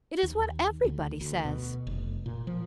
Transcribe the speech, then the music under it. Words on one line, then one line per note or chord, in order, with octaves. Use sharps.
It is what everybody says.
D#2
D2
D2
B2
F1
A#2
F3